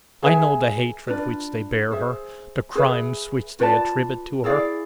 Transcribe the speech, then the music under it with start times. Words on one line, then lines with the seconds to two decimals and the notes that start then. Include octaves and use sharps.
I know the hatred which they bear her, the crimes which they attribute to her.
0.23 G#4 B4 E5 G#5
1.07 D4 F4 B4 D5
1.91 G#4 C5 E5
2.75 G#4 B4 E5
3.60 F4 B4 D5 A5
4.44 E4 G#4 D5 F5